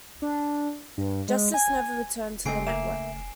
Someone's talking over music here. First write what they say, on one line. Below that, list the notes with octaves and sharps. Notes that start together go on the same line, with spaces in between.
Justice never returned to the network.
D4
G2
G#3
G#5
G#2 C#3 A3 C4 D#5 G#5 C7 D7
A#3 E5 E7